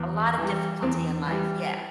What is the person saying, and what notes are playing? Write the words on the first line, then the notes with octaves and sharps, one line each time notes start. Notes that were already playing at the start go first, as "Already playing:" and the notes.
A lot of difficulty in life, yeah,
Already playing: E2
E3 G3
E2 C4
E3 G3